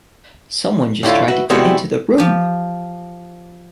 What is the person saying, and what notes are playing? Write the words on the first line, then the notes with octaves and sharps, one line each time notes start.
Some one just tried to get into the room!
A2 D3 E4 F4
F#4 B4 E5
C3 G3 G#3 B3 E4 F#4
F3 G4